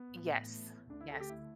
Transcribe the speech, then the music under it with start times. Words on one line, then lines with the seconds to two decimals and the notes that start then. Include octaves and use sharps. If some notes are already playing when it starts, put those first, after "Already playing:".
Yes, yes.
Already playing: B3
0.11 A1 A2 A3
0.90 D2 D3 A3 D4
1.01 E4
1.10 A4
1.20 G4
1.30 E4